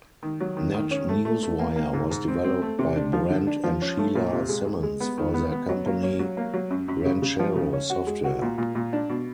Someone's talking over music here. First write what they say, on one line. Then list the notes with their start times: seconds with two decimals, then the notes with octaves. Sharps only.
NetNewsWire was developed by Brent and Sheila Simmons for their company Ranchero Software.
0.23 D#3
0.40 F#3
0.57 D#3
0.74 D#3
0.91 C#4
1.09 A3
1.25 A3
1.43 A3
1.59 A#3
1.76 A#3
1.93 G#2
2.11 G#2
2.28 C4
2.44 C4
2.62 A3
2.79 C3
2.96 D4
3.13 F3
3.30 D3
3.47 D4
3.63 F3
3.82 C#4
3.98 A3
4.15 A#2
4.33 C3
4.49 G#3
4.66 G#3
4.83 G#3
5.00 B3
5.18 D#3
5.34 B3
5.52 B3
5.69 F#3
5.86 A#3
6.03 C#4
6.19 F#3
6.37 A#3
6.54 F#3
6.70 F#2
6.88 F#2
7.05 C#3
7.22 C#3
7.39 F3
7.56 C#3
7.73 C#4
7.90 F#4
8.07 G#3
8.24 F#4
8.42 A#2
8.58 A#2
8.75 A#2
8.93 D4
9.09 B2